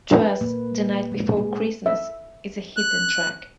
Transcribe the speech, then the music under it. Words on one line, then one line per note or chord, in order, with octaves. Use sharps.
"Twas the Night Before Christmas" is a hidden track.
B4
A#3
G#3
G#4
E5
F#6